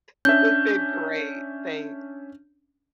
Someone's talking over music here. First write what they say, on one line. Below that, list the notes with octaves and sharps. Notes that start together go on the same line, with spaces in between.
This has been great, thanks.
C#4 D4 E5 G6